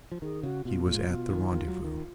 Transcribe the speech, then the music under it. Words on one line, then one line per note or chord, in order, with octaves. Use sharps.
He was at the rendezvous.
F3
D#3 G#4
C#3 F#4
B2 F4
A#2
G#2
A#2
B2
D#3
D#3
F#3
D#3